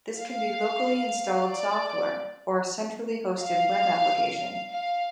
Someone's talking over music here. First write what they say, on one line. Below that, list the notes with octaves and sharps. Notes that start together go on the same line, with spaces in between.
This can be locally installed software, or a centrally hosted web application.
F5
D5
F5
F5